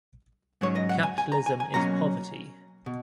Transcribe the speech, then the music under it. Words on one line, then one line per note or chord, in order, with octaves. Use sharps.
Capitalism is poverty.
G#2 F#3 C#4 C#5
D#5
F#5
G#5
G#5
A#5
G#5
G#5
B2 F#3 A#3 C#4 A#5
B2